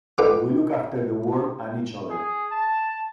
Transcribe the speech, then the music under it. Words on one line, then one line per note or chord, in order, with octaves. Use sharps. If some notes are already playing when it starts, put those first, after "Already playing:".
If we look after the world and each other.
D3 F3 D4 D#4 G4 B4
G#4
A5